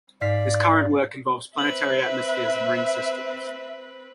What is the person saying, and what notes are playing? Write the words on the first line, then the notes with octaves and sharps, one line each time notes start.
His current work involves planetary atmospheres and ring systems.
G#2 D5 F5 B6
C4 B4 E5 F#7